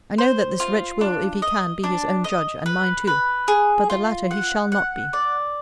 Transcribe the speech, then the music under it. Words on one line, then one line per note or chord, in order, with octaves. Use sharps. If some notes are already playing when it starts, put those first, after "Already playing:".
I know that this wretch will, if he can, be his own judge, and mine too. But the latter he shall not be.
C5
F4
D4
D#5
D4
D#5
B4
B4
G#4
F4
F#5
F#5
D5